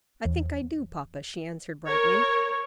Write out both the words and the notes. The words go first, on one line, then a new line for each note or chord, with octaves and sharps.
"I think I do, papa," she answered, brightening.
E2
A#4 C#5